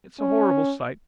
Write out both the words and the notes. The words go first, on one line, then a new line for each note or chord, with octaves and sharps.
It's a horrible sight.
C#4